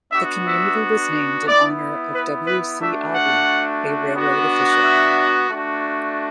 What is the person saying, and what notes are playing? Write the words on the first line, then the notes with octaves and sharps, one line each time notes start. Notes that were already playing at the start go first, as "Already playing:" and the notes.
The community was named in honor of W. C. Albee, a railroad official.
B3 D4 F#4 E5
E5
B3 E4 D5
B4
B4
A3 D4 F#4 E5
F#5
B3 D4 F#4
E5
A3 D4 F#4